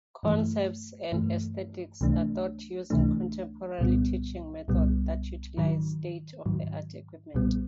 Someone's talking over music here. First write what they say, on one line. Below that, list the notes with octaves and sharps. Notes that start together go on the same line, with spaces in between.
Concepts and aesthetics are taught using contemporary teaching methods that utilize state-of-the-art equipment.
G2 E3 A3
G2 E3 A3
C#2 C3 E3 A3 D4
C#2 C3 E3 A3 D4
C2 A#2 G3 B3
C2 A#2 G3 B3
G#2 D#3 F#3
G#2 D#3 F#3
B1 A#2 G3 B3